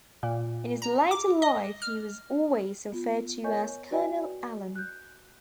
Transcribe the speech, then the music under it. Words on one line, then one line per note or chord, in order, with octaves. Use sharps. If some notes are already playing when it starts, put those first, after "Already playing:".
In his later life he was always referred to as Colonel Allen.
A#2
A#5
D6
D#5
F6
B3 F4
A#4 C#5 D#5 G#5 C#6 G6
F#4 B4 D5 D#5 G5 G#5
F#6 G6